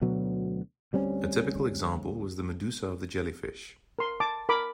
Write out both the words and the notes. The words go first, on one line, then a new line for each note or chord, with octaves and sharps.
A typical example was the medusa of the jellyfish.
D2 B2 F#3 B3
D2 G3 C4 C#4
A#4 C6
A5 D6
A#4 B5 D6